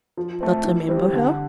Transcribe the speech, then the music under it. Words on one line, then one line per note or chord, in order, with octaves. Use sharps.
Not remember her?
F3
A3 C4
E3
G3 C4 G4
D3